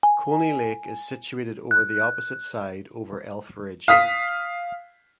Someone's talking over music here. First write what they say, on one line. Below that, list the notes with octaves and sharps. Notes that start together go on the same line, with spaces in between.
Coney Lake is situated over the opposite side over Elf Ridge.
G#5
F#6
F5 D#6 B6